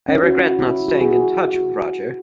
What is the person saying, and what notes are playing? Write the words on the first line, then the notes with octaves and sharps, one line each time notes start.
I regret not staying in touch with Roger.
C#4
E4
F#4
E4
F#4
F#4
G#4
F#4
F#4